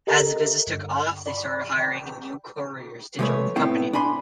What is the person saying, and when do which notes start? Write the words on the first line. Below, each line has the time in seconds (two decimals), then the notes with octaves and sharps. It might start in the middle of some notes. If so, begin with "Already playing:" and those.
As the business took off, they started hiring new couriers to join the company.
0.07 G4 A4 A#4 D#5 E5 A#5
0.67 G2 D3
1.26 D5 B5
1.80 G5
3.19 C3 F3 G#3 A3 B4 C#5
3.56 A2 A3 B3 C4 E4 G5
3.93 D4 G#5 B5 C6